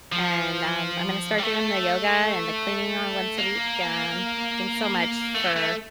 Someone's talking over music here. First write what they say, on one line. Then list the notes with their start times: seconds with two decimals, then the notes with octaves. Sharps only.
and, um, I'm gonna start doing the yoga and the cleaning on once a week, um, thanks so much for
0.12 F3
1.38 G3
1.43 A3
3.38 A#3
5.34 A3
5.56 A3